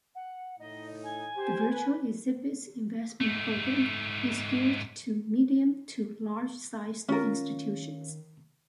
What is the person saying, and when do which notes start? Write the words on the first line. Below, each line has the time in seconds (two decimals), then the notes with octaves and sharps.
The Virtual Exhibits Investment Program is geared to medium- to large-sized institutions.
0.15 F#5
0.59 A2 D#4 D#5
1.03 G#5
1.36 G4 C5
1.70 B4
3.20 G#2 A3
7.09 D#3 C#4 F4 A#4